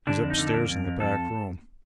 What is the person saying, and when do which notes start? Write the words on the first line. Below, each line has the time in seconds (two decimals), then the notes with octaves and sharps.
"He's upstairs in the back room."
0.07 D3 D4
0.22 F2
0.30 D#4
0.38 D3
0.47 A4
0.54 F2 A#4
0.69 F2
0.85 F2
1.00 F2 A4